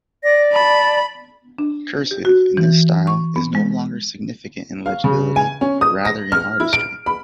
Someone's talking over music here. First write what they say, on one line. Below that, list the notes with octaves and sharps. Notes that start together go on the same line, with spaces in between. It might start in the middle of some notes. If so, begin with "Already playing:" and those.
Cursive, in this style, is no longer significant in legibility but rather in artistry.
D5 A#6
A5 B5
D4
G4
F#4
E3
C#6
B3
G#3
F5
C#3
G#5
C#4
D#6
A#6
F6
E4
D7
B5